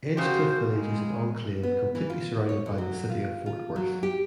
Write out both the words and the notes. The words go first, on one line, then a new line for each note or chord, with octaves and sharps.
Edgecliff Village is an enclave, completely surrounded by the city of Fort Worth.
C#3 F#4 G4 C5
G#3
B3
E3
F4
C#5
D3
F#3
F4
F4
F#3
G4